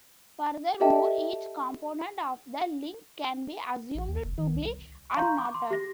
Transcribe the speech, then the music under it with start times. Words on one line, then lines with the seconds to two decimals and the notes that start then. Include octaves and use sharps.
Furthermore, each component of the link can be assumed to be unknotted.
0.80 G4 A4 D#5 E5 G5 A5
3.94 A1
4.08 D#2
4.24 F1
4.38 D#3
4.55 C2
5.17 F5 A#5 C6 C#6 G6
5.38 D6
5.54 C6
5.70 G4 A#6